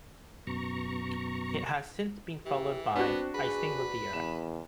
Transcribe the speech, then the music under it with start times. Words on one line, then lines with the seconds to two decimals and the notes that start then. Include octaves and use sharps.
It has since been followed by "I Sing with the Earth".
0.47 F#2 B2 A#5 C#6
2.45 E3 G4
2.95 B3 C4 D4 F#4
3.34 G#4 B4
4.13 E2 E7